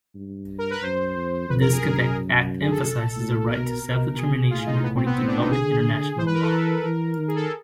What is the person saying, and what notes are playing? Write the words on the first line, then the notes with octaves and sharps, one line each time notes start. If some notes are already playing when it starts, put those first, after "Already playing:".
This Quebec act emphasizes the right to self-determination according to public international law.
G2
A#4
B4
F#2 C5
F2
F2 B4
A#4
G#4
F#2 G#4
G#4
A4
A2
B2 A#4
B2
G#4
A2 F4
D#4
B3
C4
B3
A2 C4
D4
D#4
D3 G#4
E3 C5
B4
A#4
A4
E3 A#4
D#3
G#4
A4
A#4